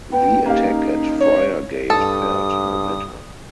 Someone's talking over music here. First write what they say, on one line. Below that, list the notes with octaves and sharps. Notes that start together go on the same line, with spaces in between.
The attack at Friargate fared no better.
B3 G5
A#3 C#4 D#4 G4 F5
C#5
G2 A4 D#6